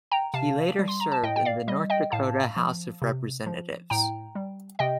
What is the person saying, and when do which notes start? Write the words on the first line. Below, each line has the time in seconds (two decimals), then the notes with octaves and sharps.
He later served in the North Dakota House of Representatives.
0.11 G5 A#5
0.34 C3 F5 A5
0.79 G3
0.88 C6
1.00 A#5
1.12 A5
1.23 A2 D#5 G5
1.36 G5
1.45 D5 F5
1.68 G3 D#5
1.90 D#5 G5
2.12 A2 F5 A5
2.56 F3
3.02 C3
3.46 F3
3.90 A2 G5 A#5
4.35 G3
4.79 C3 D#5 G5